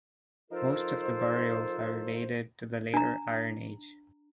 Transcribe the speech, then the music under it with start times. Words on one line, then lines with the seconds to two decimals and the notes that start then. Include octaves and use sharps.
Most of the burials are dated to the later Iron Age.
0.51 F3 D#4 F4 A4 A#4 C5
2.94 D4 A#5